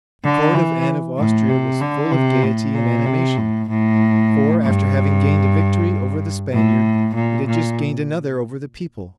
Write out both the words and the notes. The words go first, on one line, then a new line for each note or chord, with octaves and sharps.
The court of Anne of Austria was full of gayety and animation; for, after having gained a victory over the Spaniard, it had just gained another over the people.
D3
E3
A2
C3
D3
C3
A2
A#2
C3
A2
A2
G2
A2
A#2
A#2